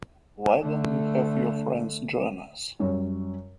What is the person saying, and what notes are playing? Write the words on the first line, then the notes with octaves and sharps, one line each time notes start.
Why don't you have your friends join us?
D3 A3
F#2 G3 C#5